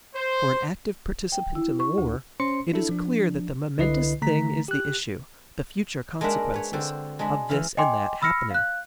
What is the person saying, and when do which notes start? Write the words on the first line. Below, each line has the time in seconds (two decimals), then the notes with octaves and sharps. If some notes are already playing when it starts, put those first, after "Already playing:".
For an active participant in the war, it is clear that the momentous thing is the issue, the future consequences, of this and that happening.
0.14 C5
1.32 G5
1.55 E4
1.80 C#6
1.98 D2
2.40 C#4 C5 C6 C#7
2.72 D4 E4 A4
2.89 F3 D4
3.78 C2 D3 E4 B4 D#5 C7
4.22 D3 A3 A#5 B6
4.68 G4 F#6
6.21 G#3 A#3 D4 D#4 E5 F#5
6.54 B4 C#5
6.73 D3 C4 F#4 C5
7.19 G#3 D4 G#4 B5
7.49 E3 C#4 F5 B5
7.77 D#5 G5 G#5 C6 D6
8.22 B5 E6 F6 A#6 C#7
8.50 F5 F#6